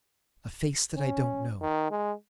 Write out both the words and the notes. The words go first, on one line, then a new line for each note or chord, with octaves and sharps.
A face that I don't know.
C#4
D#3
G#3